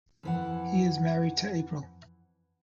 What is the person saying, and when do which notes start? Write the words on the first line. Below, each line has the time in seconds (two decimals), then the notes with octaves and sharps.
He is married to Apryl.
0.23 F2 E3 F#5